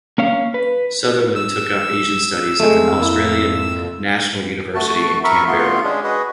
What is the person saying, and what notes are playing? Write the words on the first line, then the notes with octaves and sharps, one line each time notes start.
Sutherland took up Asian studies at the Australian National University in Canberra.
A#3 C#4 F5
B4
E6
F2 G#3 A3
A#3 E4
A3 F#4 A5
A#4 E5 B5 C#6
A3 B3 F4 C6
G#3 C#4 D4 G#4
F#4 G#4 B4 D#5